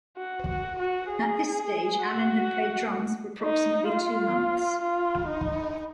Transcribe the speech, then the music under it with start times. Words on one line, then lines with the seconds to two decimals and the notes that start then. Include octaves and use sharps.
At this stage, Allen had played drums for approximately two months.
0.17 F#4
0.48 F#4
0.79 F#4
1.10 G#4
2.03 F#4
3.43 D#4
3.89 F4
4.82 F4
5.27 D#4